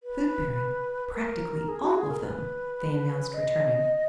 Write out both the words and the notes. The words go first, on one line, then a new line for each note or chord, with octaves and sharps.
"Food-bearing, practically all of them," they announced returning.
B4
A#4
G#4
F#4
G#4
A#4
B4
D#5